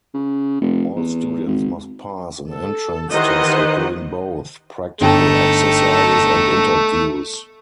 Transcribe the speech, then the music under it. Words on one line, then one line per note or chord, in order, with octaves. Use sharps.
All students must pass an entrance test including both practical exercises and interviews.
C#3
F1
E2
G#1
A4
D#3 E3 G4 C5 D#5 F#5
G1 D3 A3 D#4 A4 G5